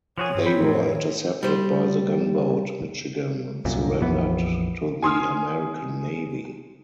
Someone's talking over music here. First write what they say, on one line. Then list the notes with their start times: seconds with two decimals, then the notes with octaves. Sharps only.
They were intercepted by the gunboat "Michigan" and surrendered to the American navy.
0.18 F3 F#4 G#4 C#5
0.35 G2 C4
0.46 E3 B5 G6
0.61 F2 A2
0.94 D#3
1.43 G3 C5
3.65 C2 F#2 A#2
4.01 A#1 F2 E3 B3
5.02 G#5 C6 D#6 F6